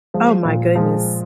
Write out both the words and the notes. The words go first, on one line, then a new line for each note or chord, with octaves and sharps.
Oh my goodness,
F3 G#3
A#2
F3 G#3